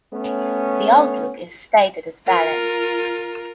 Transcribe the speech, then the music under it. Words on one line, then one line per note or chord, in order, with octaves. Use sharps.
The outlook is stated as balanced.
A3 B3 C#4
F4 A#4